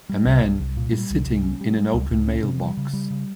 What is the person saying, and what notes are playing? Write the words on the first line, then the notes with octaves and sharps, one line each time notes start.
A man is sitting in an open mailbox.
G3
C2
C2
C2
A#2
G3
C2
C2
C#4
G3
G3
C#2
C#2
C#4
C3
G3
C#3
G3
C#3